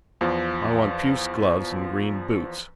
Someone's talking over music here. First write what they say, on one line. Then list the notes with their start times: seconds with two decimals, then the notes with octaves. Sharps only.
I want puce gloves and green boots.
0.21 E2 F3